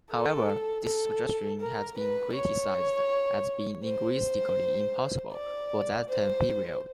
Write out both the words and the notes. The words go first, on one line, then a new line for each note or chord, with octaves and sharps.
However, this suggestion has been criticized as being "linguistically impossible" for that time period.
A4
A4
A#4
B4
C#5
C5
D5
C5